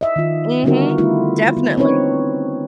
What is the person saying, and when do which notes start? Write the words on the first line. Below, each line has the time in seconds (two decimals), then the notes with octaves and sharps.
Mhm. Definitely.
0.01 D#5 E5
0.16 D#3 F4
0.64 D3 G3 B3 D#4 F#4 A#4
0.98 G3 A3 E4 F4
1.57 B3
1.77 C4 C#4 D#4 B4 C#5